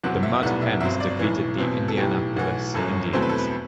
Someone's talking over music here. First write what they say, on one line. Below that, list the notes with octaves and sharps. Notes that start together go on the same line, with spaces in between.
The Mud Hens defeated the Indianapolis Indians.
F#1 E2 C3 F#3 C4 F#5
E5
B1 A2 G3 B3 F#5
E5
G1 G2 F#3 C4 E5
D5
B1 A2 E3
E2 B2 F#3 C4
A4
B1 A2 E3 G4
B1 A2 E3 F#4
G1 F#2 F#3 A4
E2 B2 F#3 A3 C4 C5
B4
A4
B4